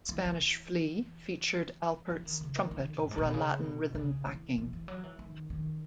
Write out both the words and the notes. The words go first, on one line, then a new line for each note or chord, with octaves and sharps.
"Spanish Flea" featured Alpert's trumpet over a Latin rhythm backing.
E3
E3
E3
D#3
C#3
D#3
D#3
F#2
G#2
A#2
B2
C#3
B2
C#3
E3
E3
E3
F#3
E3
D#3
D#3